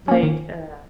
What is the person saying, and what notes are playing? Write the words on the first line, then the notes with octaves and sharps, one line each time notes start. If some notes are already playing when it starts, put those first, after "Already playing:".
Like, uh
A#3 C#4
D#3